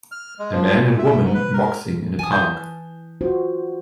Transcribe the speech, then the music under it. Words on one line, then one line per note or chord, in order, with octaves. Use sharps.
A man and woman boxing in a park.
F6
G#3
F3
A#2
E5
G#2
B4
A#4
E3 G#5 A5 D#6
G6
F4 F#4 C5